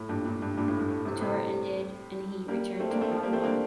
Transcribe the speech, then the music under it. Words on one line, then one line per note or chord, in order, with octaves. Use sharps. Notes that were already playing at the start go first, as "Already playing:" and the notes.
The tour ended and he returned to Ottawa.
Already playing: A2
G2 A#2
G2 A#2
G2
G2 A#2
A2
G2
A2
A2 C3
A2 C3
G3 A#3
A3 C4
A#3 D4
A3 C4
F3 A3
G3 A#3
A3 C4
A#3 D4